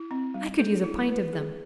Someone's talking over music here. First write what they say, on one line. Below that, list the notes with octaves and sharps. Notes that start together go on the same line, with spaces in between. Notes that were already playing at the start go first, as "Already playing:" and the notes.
I could use a pint of them!
Already playing: E4
C4
G3
A4
E4
B4
G#4